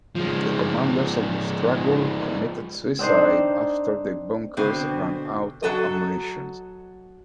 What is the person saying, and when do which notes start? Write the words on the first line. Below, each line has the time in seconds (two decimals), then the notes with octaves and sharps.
The commanders of the struggle committed suicide after their bunkers ran out of ammunition.
0.15 F3 G#3
2.99 C4 D4 D#4 C5
4.57 B2 D3 C4
5.63 F#3 F#4 A4 D#5